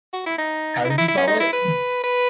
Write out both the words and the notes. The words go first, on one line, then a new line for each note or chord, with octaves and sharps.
How did you call it?
F#4
E4
D#4
E4
D#4
E4
E4
C#4
D#4
E4
B4
B4